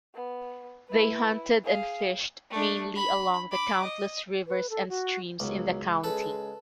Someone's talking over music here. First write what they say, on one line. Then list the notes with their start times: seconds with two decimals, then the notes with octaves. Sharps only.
They hunted and fished mainly along the countless rivers and streams in the county.
0.15 B3
0.88 E4 B4
1.64 G#4 F5
2.50 A3 D4
2.96 B5
3.51 B5 D6
3.83 D#5
4.47 B4
4.70 A4
4.89 F#4
5.40 C#2 B2 D#3 F#3
6.04 C#3 G#3 A4 B4